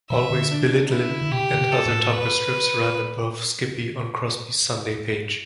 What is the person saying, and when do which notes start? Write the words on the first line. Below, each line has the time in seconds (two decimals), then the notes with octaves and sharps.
"Always Belittlin"' and other topper strips ran above "Skippy" on Crosby's Sunday page.
0.10 B2 E5
0.31 D3
0.51 D4
0.91 E4
1.21 D3
1.31 B2 G4
1.52 D3
1.59 B2
1.73 A4
1.86 A2
2.13 B4